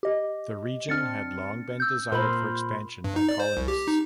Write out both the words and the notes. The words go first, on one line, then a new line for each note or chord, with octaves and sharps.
The region had long been desired for expansion by colonists.
G4 D#5
C4 D4 F6 A6 C#7
E6 G6
A#2 A#4 C5 B5 C6
G2
D#4
D5
C5
C2
G4
D#4